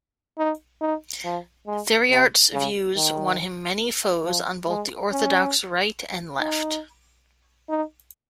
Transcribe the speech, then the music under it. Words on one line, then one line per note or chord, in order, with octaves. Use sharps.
Thiriart's views won him many foes, on both the orthodox right and left.
D#4
D#4
F3
G#3
C3
C#3
D#3
F3
G#3
C#4
D#4
D#4